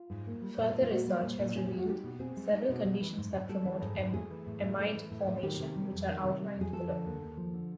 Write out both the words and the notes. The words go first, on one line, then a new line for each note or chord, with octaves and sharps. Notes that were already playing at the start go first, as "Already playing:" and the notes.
Further research has revealed several conditions that promote amide formation, which are outlined below.
Already playing: F4
G#2
A#3
G3
A#2
A#2
F4
A#3 F#4
G3
A#2
A#2
C4 G#4
G4
G#3
F#4
D#4 G4
B2
C4 G#4
G#3
D#4
B2
G3
E3
G#2
G#2
G3 A4
E3
G#2
G#2
A3 G#4
E3
A2
A2
A3
E3
A2
A2
D#3 G4
C3
G3
F2
D#3
C3
G3
F2 G#4
F3 A4
D3
D#2
D#2
F3
D3